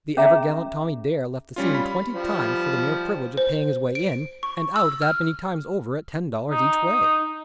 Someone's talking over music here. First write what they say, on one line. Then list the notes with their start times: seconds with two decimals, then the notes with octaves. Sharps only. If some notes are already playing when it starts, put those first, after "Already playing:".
The ever gallant Tommy Dare left the scene twenty times for the mere privilege of paying his way in and out that many times over at ten dollars each way.
0.17 C#4 G#4 E5 A#5
1.56 G3 C#4 F4
1.75 B5
2.13 F3 G3
3.37 C5
3.95 D7
4.43 C#6
4.76 E6
5.02 F6
6.50 D#4